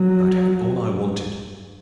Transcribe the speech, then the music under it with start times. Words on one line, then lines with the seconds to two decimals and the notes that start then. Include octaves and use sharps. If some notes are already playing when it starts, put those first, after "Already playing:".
I'd had all I wanted.
Already playing: F#3